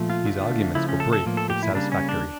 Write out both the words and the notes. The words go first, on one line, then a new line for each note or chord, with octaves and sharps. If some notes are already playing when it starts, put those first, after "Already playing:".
His arguments were brief but satisfactory.
Already playing: A#2 F3 A3
F4
D3
A3
C#3 F3 A3 E4
C#4
A4
A4
A2 F3 A#3
A4
G4
E4
C#3 G3 A#3 D4
C#4
D4